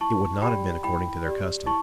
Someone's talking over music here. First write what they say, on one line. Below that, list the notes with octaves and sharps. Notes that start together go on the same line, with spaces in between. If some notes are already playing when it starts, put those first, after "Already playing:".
It would not have been according to their custom.
E4 A5 C#6
G4 D5 G5 B5
E4 G5 B5
G4 D5
E4 A5 C#6